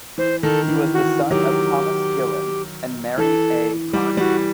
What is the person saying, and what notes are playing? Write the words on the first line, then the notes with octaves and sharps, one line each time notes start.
He was the son of Thomas Gillen and Mary A. Conry.
E3 C5
D#3 A4
E3
F#4
D#3 F#3 G4
E3 A4
E3 G3 G4
E3 G3 F#4